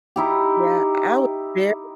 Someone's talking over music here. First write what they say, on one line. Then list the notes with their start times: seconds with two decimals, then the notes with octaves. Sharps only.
Yeah, I was very
0.16 D#4 E4 G4